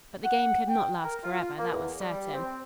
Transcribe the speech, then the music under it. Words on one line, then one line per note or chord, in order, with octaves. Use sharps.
But the game could not last forever, that was certain.
F#5
G5
A#4
F4
A#3
E2
G3
C4